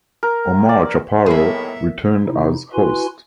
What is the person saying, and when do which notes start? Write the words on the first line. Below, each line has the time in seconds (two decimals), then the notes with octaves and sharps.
Omar Chaparro returned as host.
0.23 A#4
0.69 D5
1.26 A2 D#3 E3 A#3 B3 G#4 A#4 E5
2.25 C3 D#4 E4
2.73 E4 F#4 B4 G#5 C6